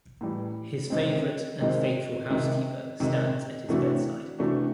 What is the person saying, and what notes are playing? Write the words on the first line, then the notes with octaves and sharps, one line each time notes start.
His favourite and faithful housekeeper stands at his bedside.
A2 E3 G3
C3 D#3 G#3 C4
C3 D#3 G#3 C4
C3 D#3 G#3
C3 D#3 G#3
C3 E3 A3 D4 F#4
C3 E3 A3 D4 F#4